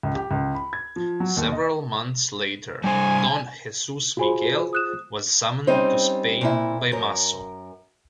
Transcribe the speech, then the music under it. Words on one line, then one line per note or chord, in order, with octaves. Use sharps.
Several months later, Don Jesus Miguel was summoned to Spain by Maso.
C#2
G4
C#2
B5
G#6
F3
F#3
D#2
D#5
G3 D4 C5 G#5
F4 F#4 G#4 C5 G#5 B5
D#6 F#6 E7
G3 C4 C#4 D#4 C5
A#2 C4 E4
F#2 A#4